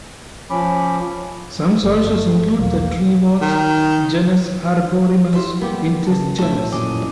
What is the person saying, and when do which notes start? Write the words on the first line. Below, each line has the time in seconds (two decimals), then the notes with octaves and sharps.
Some sources include the tree voles, genus "Arborimus", in this genus.
0.50 F3 C#4 B5 D6
1.83 G1 A3
2.59 B1 E2 A#3
3.41 D#3
5.33 E4 F#4 G4 E5 C6
5.61 G3 A#3 B3 E4 G4
6.07 C#3 A5
6.39 D2 A2 A4 E5
6.72 F#2 A#2 G#4 D#5 D6